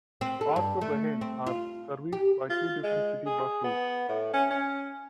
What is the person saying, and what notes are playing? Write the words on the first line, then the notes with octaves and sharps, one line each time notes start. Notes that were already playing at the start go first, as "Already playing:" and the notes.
Parts of Raheen are serviced by two different city bus routes.
C4
A4
G2
A3
C4
F4
G4
F4
G#3
G#4
B3
A2
C#4
C#4